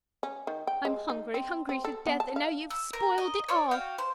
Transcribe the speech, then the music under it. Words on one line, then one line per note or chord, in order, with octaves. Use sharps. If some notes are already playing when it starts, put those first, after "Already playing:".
I'm hungry, hungry to death, and now you've spoiled it all!
C#4
D#3
G5
G#3
D#4
C4
C4
A4
B3
A5
F5
E6
A#4
D#5
C#5 D5
F#4 F5 G5
C5